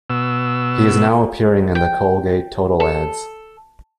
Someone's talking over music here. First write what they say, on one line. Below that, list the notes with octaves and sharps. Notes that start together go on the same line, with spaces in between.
He is now appearing in the Colgate Total ads.
B2 E6
G5
A4